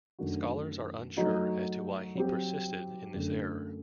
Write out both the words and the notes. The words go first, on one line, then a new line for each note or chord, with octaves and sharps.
Scholars are unsure as to why he persisted in this error.
F#2 D#3 A3 D4 F#4
F#3 A3 D#4 F#4
F#3 C4 G4
F#2 D3 A3